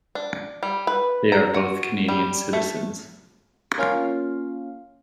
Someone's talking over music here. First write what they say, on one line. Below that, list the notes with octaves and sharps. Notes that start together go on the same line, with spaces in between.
They are both Canadian citizens.
D4
G3
B4
A#5
F#4
G3
A3
A#3 C#4 F4 F5